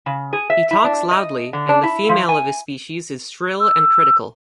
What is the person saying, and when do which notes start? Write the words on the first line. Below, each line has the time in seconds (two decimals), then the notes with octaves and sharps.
He talks loudly, and the female of his species is shrill and critical.
0.06 C#3
0.33 G#4
0.50 E5
0.71 E4
0.84 D4
1.11 D#5
1.53 D3
1.69 D4
1.83 E4
2.09 F3
2.29 G#5
3.60 E6